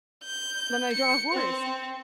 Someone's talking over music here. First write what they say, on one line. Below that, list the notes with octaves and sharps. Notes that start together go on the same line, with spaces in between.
Then I draw a horse.
G6
C#7
C4